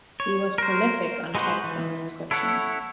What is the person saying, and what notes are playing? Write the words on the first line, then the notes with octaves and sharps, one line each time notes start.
He was prolific on texts on inscriptions.
C#5
A#4 C5
G#3 D#4 F#4 B4 C5
E3
E4 A4 C#5 F#5